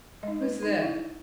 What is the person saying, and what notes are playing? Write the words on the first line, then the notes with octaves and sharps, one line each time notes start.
Who's there?
G#3 D#4 D#5
B4
D#4
E4